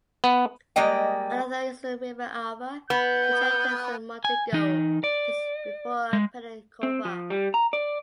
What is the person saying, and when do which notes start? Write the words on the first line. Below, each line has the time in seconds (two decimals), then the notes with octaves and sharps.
Another is the River Alva, which enters the Mondego just before Penacova.
0.24 B3
0.76 G3 G#3 A#3 D#5 G5
2.90 B3 G6
4.25 G#5
4.53 E3 D#4
5.04 D5
6.13 G#3
6.83 C4
7.05 F3
7.30 G3
7.54 A#5
7.73 D5